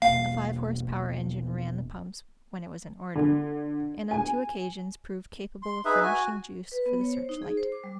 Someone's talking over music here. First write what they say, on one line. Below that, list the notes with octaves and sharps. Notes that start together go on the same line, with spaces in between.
A five-horse power engine ran the pumps when it was in order, and on two occasions proved capable of furnishing juice for the search-light.
E1 A#3 F5
D3
G#5
C6
D#4 G#4 B4 E5
F#4 G#5
B4
B3
C#5
C5
D#4
G#4
C5
D6
G3